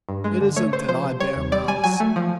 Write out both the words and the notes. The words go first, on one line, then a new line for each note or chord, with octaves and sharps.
It isn't that I bear malice.
G2
G#3
D3
A3 C#5
C#3 C5
F3 C5
C3
G3 C#5
D#2
G3 D5
G3 G#5
F#3 G#5
A3
F3